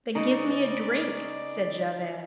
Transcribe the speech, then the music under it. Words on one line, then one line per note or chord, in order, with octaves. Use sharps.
"Then give me a drink," said Javert.
C#3 D#4 D5